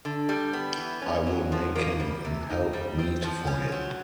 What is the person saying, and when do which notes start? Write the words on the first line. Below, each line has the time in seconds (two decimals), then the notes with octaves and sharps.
I will make him an help meet for him.
0.05 D3
0.29 G3
0.53 B3
0.78 E3
1.02 C#4
1.27 F#3
1.52 F3
1.75 A#3
2.00 G3
2.25 C3
2.50 D#4
2.73 G3
2.99 C4
3.23 F3
3.47 C#4
3.72 F#3